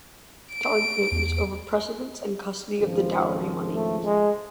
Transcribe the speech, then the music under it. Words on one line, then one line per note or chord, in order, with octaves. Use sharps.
The argument was over precedence and custody of the dowry money.
D7
E2
G#1 C#2 F3
A3
G#3